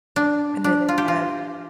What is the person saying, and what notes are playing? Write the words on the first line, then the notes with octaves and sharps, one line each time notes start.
And then we have,
D4
D4
F4
G4
F4